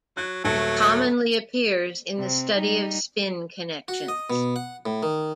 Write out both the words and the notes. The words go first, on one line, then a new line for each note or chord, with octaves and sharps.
It commonly appears in the study of spin connections.
F#3 F#6
D#1 F#3 A3 A5 C#7
C3 C4
G3 D#4
F#4
D#5
B2
F#5
A2
D#3